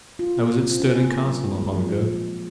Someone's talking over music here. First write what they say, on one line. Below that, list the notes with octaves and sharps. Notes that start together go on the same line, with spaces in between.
I was at Stirling Castle not long ago.
F4
C4
C#4
A#3
F#3
G#3
F3
A#2